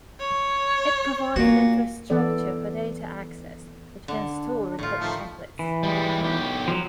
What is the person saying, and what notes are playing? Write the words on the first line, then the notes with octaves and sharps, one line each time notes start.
It provides an infrastructure for data access, which can store report templates.
C#5
A#2 A#3 F#4
E3 B3 A4 D5
D3 D4
A2 A3 F4
D#3 F3 A3 F5
E3
G3 G#3
B1 G4
F3 F#3